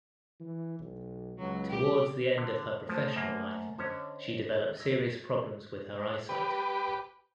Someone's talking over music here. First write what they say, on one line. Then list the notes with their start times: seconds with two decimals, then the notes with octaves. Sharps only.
Towards the end of her professional life she developed serious problems with her eyesight.
0.40 E3
0.80 B1
1.38 C#2 F#3
1.69 G4
2.37 D3
2.89 F3 A3 C5 A5
3.16 F#2 A#3
3.78 D3 C#4 C5 C#5 D#5
4.77 E4 D#5
6.29 G4 B4